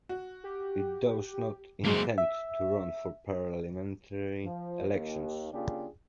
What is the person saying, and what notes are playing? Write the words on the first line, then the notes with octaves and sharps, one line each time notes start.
It does not intend to run for parliamentary elections.
F#4
G4
F#1 F#2 G#3 A#3 C5 D6 C7
E5
F3
D#2
C#3 A#3 D4 F4 G4 G#4